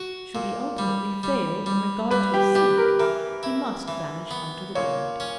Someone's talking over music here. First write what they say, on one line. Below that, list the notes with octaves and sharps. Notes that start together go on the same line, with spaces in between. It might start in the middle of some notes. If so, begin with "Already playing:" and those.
Should he ultimately fail in regard to his seat he must--vanish out of the world.
Already playing: F#4
A#2
G3
G3
G3
G3 B4
G4
D4 G4
A#4
E3 A#4
E4
E3
B3
A#2 C#5
C#4